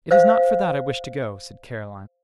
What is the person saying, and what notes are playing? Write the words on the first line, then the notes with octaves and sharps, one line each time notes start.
"It is not for that I wish to go," said Caroline.
C5 F5